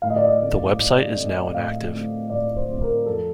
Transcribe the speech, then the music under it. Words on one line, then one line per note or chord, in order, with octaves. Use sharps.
The website is now inactive.
A2 F5
D#5
D5
D#5
A3 C4
A2
A3 C4
A2 F5
A3 C4
A2 D5
C5
A3 C4
A#4
F2 A4